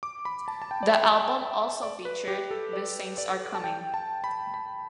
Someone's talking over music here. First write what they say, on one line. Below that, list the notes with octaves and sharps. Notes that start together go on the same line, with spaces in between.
The album also featured "The Saints are Coming".
D6
B5
A5
A5
G5
D5
E5
D5
B4
G4
A4
D5
D5
A5
G5
A5
B5
B5